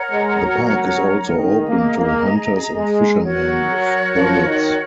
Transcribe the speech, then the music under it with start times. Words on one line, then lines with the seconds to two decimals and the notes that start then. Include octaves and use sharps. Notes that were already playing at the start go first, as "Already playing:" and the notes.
The park is also open to hunters and fishermen with permits.
Already playing: A#4 C#5 F#5 A#5
0.11 G#3
0.42 F#3
1.35 D#3 G#4 D#5 A#5
1.67 A#3
1.98 A#3
2.76 G#3
3.22 F#3 F#4 A#4 C#5
4.16 F3
4.47 D#3